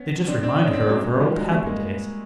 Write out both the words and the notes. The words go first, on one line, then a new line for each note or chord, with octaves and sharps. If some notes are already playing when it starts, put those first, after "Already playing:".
They just reminded her of her old happy days.
Already playing: B3 C#4
C4 D4
C4 D4
C#4 D#4
C4 D4
F#3 G#3
F#3 G#3
F3 G3
F#3 G#3
G3 A3
G#3 A#3